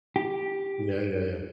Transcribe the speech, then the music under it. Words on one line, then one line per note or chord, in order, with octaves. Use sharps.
Yeah, yeah, yeah.
G4